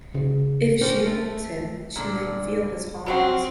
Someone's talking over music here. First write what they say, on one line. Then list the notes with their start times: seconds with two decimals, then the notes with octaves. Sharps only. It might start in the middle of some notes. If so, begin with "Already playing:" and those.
If she holds him, she might feel his arms.
0.15 C#3
0.81 C#4 D4 G4 A#4 C5
1.06 A3
1.96 A#2 D3 D4
3.06 F3 F#3 C4 C#4 F#4 F#5 B5